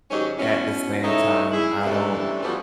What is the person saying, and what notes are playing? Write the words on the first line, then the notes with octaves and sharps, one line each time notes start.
At the same time, I don't
G#2 D#3 F#3 C#4 G4 D#5
B2 C#4 E4
C#3 E3 A3 D#4 C#5 E5
E4 G#4
G2 C3 E3 A3 C#4 D4
E3 F3 G3 A3 B3 F#4